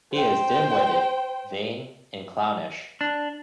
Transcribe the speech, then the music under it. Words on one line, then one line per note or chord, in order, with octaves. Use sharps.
He is dim-witted, vain and clownish.
C5 G5
D4